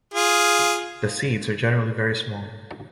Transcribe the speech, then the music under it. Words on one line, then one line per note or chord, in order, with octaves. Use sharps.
The seeds are generally very small.
F4 G#4